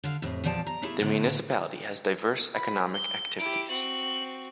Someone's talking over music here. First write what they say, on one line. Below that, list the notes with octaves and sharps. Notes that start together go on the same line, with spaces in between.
The municipality has diverse economic activities.
D3 F5
F2 A2
E2 A#2 F3 D5 G#5 A5
A#5
A3 A#3 E4 G#4
A2 D3 B3
B5
G7
E4 G4 D7
C4 F#4 F#7